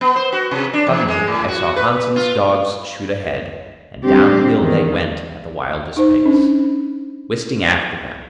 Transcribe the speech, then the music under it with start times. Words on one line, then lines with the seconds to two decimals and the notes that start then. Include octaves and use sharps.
Suddenly I saw Hanssen's dogs shoot ahead, and downhill they went at the wildest pace, Wisting after them.
0.01 B3
0.16 C5
0.32 F#4
0.51 C3
0.73 D4
0.87 E2
1.08 G#3
1.27 A2
1.48 F#4
1.76 B4
2.16 F4
4.05 D3 G3 C4 G4
4.58 E2 D#3
5.97 D#4 C5
6.26 C#4 D4